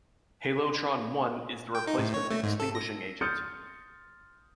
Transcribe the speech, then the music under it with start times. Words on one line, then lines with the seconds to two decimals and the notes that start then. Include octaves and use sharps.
Halotron I is the replacement extinguishing agent.
1.75 G5
1.87 D#4
1.98 A2
2.14 C#5
2.31 A3
2.43 G#2
2.60 A4
2.75 A#6
3.21 C6 D#6 F6 G6 A6 C#7